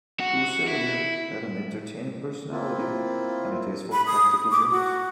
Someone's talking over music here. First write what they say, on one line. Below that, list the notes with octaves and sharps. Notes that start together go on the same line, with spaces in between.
Trousselier had an entertaining personality and a taste for practical jokes.
F#4
E4
A#3 C4 E4 F4
B5
D#6
D6
F#4